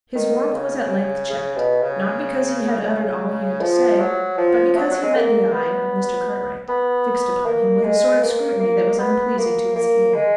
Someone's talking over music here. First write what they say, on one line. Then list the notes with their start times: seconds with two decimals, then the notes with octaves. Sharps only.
His warmth was at length checked, not because he had uttered all he had to say, but because he met the eye of Mr. Cartwright fixed upon him with a sort of scrutiny that was unpleasing to his feelings.
0.15 D#3
0.54 C#3
1.30 C#3
1.56 B2
1.82 C#3
3.61 F3
3.99 F#3
4.38 F3
4.76 F#3
4.91 F#3
5.03 G#3
5.14 A#3
5.53 B3
6.69 B3
7.45 A#3
7.83 G#3
8.22 A#3
8.60 A#3
8.99 B3
9.38 A#3
9.76 A#3
10.14 G#3